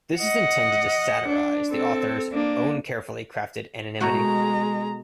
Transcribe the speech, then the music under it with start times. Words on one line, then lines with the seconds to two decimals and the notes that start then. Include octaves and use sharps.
This is intended to satirise the author's "own carefully crafted anonymity".
0.18 D#5 F#5
1.28 D4
1.71 C4 A4
2.32 A#3 D4
4.00 B2 G#3 A3 F#4 A#5